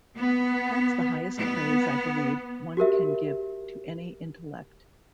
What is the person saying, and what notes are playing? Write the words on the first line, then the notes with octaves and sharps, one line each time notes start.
That's the highest praise, I believe, one can give to any intellect.
B3
B3
F#4 G4 A#4 E5